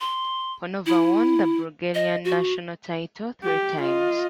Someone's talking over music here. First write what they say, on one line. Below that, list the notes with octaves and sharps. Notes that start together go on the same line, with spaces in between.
Panova won the Bulgarian national title three times.
C6
E4
D#5
F#4
G4
F4 D#5